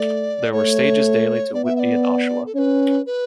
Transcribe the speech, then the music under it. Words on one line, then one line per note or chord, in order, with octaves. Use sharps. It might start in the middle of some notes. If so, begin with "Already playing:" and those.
There were stages daily to Whitby and Oshawa.
Already playing: A3 D5
A3 C#5
B3 D5
E5
E5
D5
A4
C#4 B4 C#5
B4